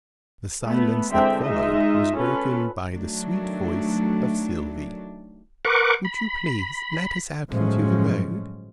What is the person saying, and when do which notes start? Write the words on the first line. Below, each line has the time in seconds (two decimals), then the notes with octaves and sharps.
The silence that followed was broken by the sweet voice of Sylvie. "Would you please let us out into the road?"
0.63 A3 B3
1.11 D3 E3 G#3 C4 E5 G5
1.43 G#3 D#4 F4 D#5 E5
2.16 C#4 F4 A4 B4
2.91 D#3 F#3 A3 D4
5.65 A#4 B4 F#5 C#6 D6
6.05 B5
7.49 G1 A2 F3 F#3 G#3 C#4